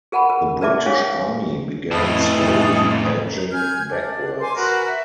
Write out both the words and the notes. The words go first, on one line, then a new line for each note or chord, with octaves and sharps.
The British army began slowly edging backwards.
G#4 A#4 F#5 A5 B5
A#4
A#4 B4 D5 E5 A5 D6
C#4 G#4 C#5 F5 G#5
F2 A2 E3 D#5
A#5
G#5 F6 G6 G#6
D4
C5 G#5 C6 D6
F#4 A#4 B4 F#5
E5